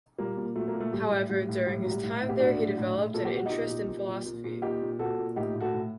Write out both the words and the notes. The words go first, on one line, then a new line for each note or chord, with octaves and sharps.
However, during his time there he developed an interest in philosophy.
A#2 G3 A#3
A#2
A#2 F#3 A3
A#3
A#2
A3
A2 G3
A2
A2 G3
A2
A2 G3
A2 F#3
G3
A2
A2
G4
A2 D4 F#4
A2
A2
A2
A#2 A4
G4
A#2 F#4
D#4 G4
A#2
A#2
A#2
A#2
A#2
A#2
A#2 D#4 G4
A#2
A#2 F#4 A4
A#2
A2 D#4 G4
A2
F#4 A4
A2